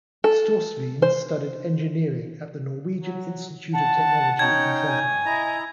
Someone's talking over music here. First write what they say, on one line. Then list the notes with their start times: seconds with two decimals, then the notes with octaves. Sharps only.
Storsveen studied engineering at the Norwegian Institute of Technology in Trondheim.
0.24 A4
1.02 C5
3.00 F#3
3.73 F#5 A5
4.39 C#4 D#4 G5 G#6
4.86 G#5
5.25 E4 D#5 A#5